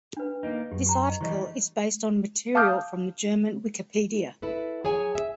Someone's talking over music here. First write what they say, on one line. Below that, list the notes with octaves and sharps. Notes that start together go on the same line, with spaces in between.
This article is based on material from the German Wikipedia.
D4 B4
A#3 D#4
F#2 G4
G4 A#5
D#5
E3 G3 G4 C#5 D#5 C#6
F5 A5 D6 D#6 F6 G6
E4 A4 B4
F#3 G#4 C#5 G#5
E5